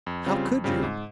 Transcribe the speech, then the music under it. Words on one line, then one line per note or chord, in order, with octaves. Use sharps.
"How could you?"
F2
C#3 G3 C4 F4
F2
C#3 G3 C4 F4
G#2